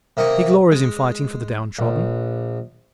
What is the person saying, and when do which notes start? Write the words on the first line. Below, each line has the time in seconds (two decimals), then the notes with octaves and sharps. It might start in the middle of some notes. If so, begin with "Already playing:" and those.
He glories in fighting for the downtrodden.
0.17 C3 A#3 D#5 C#6
0.72 G#3
1.79 A#1